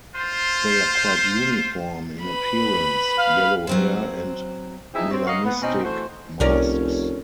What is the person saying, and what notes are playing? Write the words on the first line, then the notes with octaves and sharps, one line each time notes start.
They are quite uniform in appearance, yellow hair and melanistic masks.
F4 C5
B4 B5
F5
F#3 C4 C5
E3 F3 C4 D#4 G#4 E5
F#3 C4
F#4 A#4 C#5 D#5 F5
B3
B2 C4 C#4 D#4
E3 A3 F#4 C5
F1 C2 C#4 A#4 D5